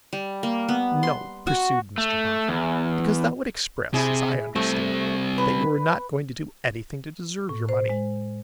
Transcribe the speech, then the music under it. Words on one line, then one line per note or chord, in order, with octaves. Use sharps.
'No,' pursued Mr Boffin; 'because that would express, as I understand it, that you were not going to do anything to deserve your money.
G3
A#3
B3
C6
F#4
A3
E2
C3 E4 G#4
G3 A3 C4
B4
A2
C5
G#3